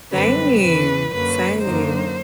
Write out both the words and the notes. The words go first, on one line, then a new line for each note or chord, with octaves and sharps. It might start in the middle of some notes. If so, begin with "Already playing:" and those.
Same, same.
F#2 D3 G3 C4 B4
E2 C#3 E3 B4
F#2 D3 F#3 A#3 C#4 B4
F#2 D3 F#3 A#3 D#4 C5